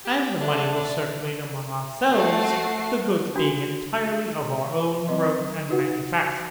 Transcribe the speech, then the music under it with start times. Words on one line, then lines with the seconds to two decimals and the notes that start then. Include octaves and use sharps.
And the money will circulate among our selves, the goods being entirely of our own growth and manufacture.
0.05 G4
0.41 A3 D4
2.11 A3 F#4 C7
3.36 D4 F#4
5.07 F#3 C4 B4 D#5 C6
5.69 D#4 F4 F#4 B4 F#5